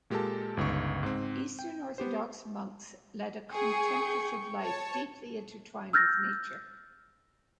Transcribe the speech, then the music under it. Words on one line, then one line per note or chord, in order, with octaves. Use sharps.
Eastern Orthodox monks led a contemplative life deeply intertwined with nature.
A#2 G#3 G4 A4 A#4 A5
G1 C#2 D#4 C#6
G#2 C4
G5
B3 G4 C5
G#4 G5 C#6
C#5 A5
E6 F6 G6 A6 A#6